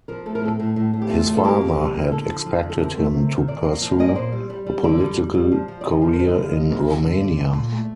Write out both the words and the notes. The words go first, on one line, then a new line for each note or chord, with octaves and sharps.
His father had expected him to pursue a political career in Romania.
F3 A#4
A3 A4
A#4
A2 A4
A2
A2
A2
G4
A3 F4
A3
A4
A#3 G4
D3
G3
A#3
D3 A4
F3
F3
D3
A4
C3 A#4
A3
C3
D#3
C3 D5
A#3
F3
F5
A#3 D#5
D5
A#2 C5
G3
G3
G3
D3 D5
G3
G3
G3
F3
F3
D5
D3 D#5
F3
A#4
D3 C5
D#5
G3
F5
D3 D#5
A#3
A#3
D3
D3 D5
D3
A#2
A3